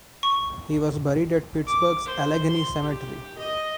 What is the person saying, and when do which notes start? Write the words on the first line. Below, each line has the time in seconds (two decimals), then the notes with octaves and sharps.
He was buried at Pittsburgh's Allegheny Cemetery.
0.23 C#6
1.67 D6
2.06 C5
2.48 C6
2.82 G4
3.38 D#5